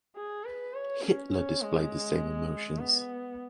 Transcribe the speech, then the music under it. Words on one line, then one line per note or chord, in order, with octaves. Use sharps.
Hitler displayed the same emotions.
G#4
B4
C#5
C#4
C#4
G#3
B3